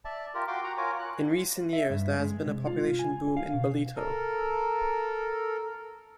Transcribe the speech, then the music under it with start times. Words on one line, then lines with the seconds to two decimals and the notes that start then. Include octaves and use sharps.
In recent years, there has been a population boom in Ballito.
0.05 D5 E5 A5
0.34 F4 G4 A#4
0.48 F#4 G5 C6 D6
0.64 F#4 F#5 A#5
0.78 F4 A#4 C#5 G#5 D6
0.99 F#6
1.73 E5
1.90 G2
2.19 G#3
2.46 C3
2.67 F4
2.99 G#5
3.37 F5
3.53 B2
3.96 A4 A#4